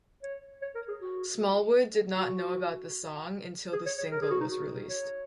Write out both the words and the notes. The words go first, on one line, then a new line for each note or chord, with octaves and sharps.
Smallwood did not know about the song until the single was released.
C#5
C#5
A#4
G#4
F#4
F#4
G#4
C#5
C#5
A#4
G#4
F#4
D#4
F#4
C#5